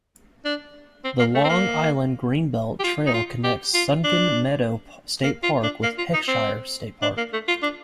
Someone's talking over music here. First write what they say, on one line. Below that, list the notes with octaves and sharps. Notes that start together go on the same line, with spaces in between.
The Long Island Greenbelt Trail connects Sunken Meadow State Park with Heckscher State Park.
D4
C4
A#3
A3
C4
A#3
G4
F4
D#4
F4
G4
F4
D4
A#3
F4
D4
A#3
F4
D#4
C4
D4
A#3
A3
F4
D4